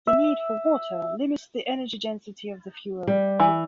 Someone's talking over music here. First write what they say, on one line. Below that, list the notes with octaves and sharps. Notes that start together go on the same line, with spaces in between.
The need for water limits the energy density of the fuel.
E5
G3
E3